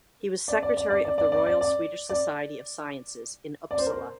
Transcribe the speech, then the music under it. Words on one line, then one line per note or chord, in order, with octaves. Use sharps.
He was secretary of the Royal Swedish Society of Sciences in Uppsala.
D5
D5
D5
D5
D5
D5
D5
D5
D5
D5
D5
C5
A#4
C5